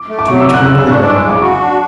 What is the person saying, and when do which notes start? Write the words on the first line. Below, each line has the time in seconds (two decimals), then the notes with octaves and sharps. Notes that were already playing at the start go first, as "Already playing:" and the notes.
To return to the dairying.
Already playing: D6
0.09 A3
0.19 D6
0.28 F#3 C#6
0.41 E6
0.47 D3
0.54 F#6
0.65 C#3 E6
0.79 E6
0.85 D4
0.91 C#6
1.04 G#3 D6
1.16 E6
1.23 C#3
1.29 D6
1.42 F#4 C#6
1.61 D4